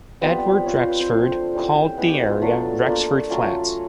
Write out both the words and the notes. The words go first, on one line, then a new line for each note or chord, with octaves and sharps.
Edward Rexford called the area Rexford Flats.
G3 B3 C4 F4 B4
G3 C4 F4 C#5
C5
B4
C4 C5
F3 A3 D4
G3 A#3 C#4 E4
G#3 B3 C#4 E4 B4
F#4 G4
F4
F#3 A3 B3 D4 F4 A4
A#3 D4 F4
F#3 A3 C#4 F4